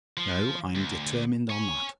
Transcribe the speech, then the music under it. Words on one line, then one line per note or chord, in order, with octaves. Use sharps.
No: I'm determined on that.
F3
D2
C#5 G#5